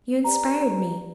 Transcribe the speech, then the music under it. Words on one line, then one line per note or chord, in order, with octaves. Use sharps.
"You inspired me."
G4 B4 D5 A#5